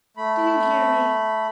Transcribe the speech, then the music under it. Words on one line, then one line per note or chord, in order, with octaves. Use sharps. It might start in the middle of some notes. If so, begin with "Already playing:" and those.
Do you hear me?
A3 B5